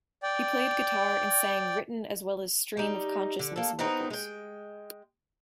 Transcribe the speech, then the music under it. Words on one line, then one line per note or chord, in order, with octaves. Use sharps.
He played guitar and sang written as well as stream of consciousness vocals.
D5 G5
G3 D#4
D3
A#3 A4
B3 C4 D#4 A#4
G#3 G5